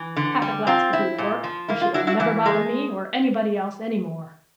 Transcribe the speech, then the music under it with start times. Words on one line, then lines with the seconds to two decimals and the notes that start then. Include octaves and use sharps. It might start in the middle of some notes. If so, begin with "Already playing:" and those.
"Half a glass will do the work and she will never bother me or anybody else any more."
Already playing: E3
0.16 D3
0.42 G3
0.67 C4 F4
0.93 E4
1.18 A#2
1.44 F3
1.68 A#3 E4
1.81 F4
1.94 D4 E4 F#4
2.07 E4 F#4
2.20 E3 E4
2.46 G#3